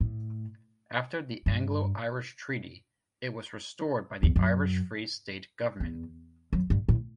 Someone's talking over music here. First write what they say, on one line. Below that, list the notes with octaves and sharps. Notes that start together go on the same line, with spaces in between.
After the Anglo-Irish Treaty, it was restored by the Irish Free State government.
A2
G2
E2
F#2
E2
F#2
G2
A2